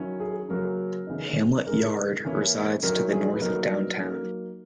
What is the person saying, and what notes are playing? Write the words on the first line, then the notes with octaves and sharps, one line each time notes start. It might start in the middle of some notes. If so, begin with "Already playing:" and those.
Hamlet yard resides to the north of downtown.
Already playing: D#3 F#3 C#4 E4
G#4
C#3 F#3 A#3 A#4
C#3 E3 B3 D#4
C#3 G#3 D#4 A#4
E3 A#3 C#4 E4
D#3 F#3 C#4 E4 A#4
G#4
B4
A#2 F#3 B3 D#4 A#4
F#3 A#3 D#4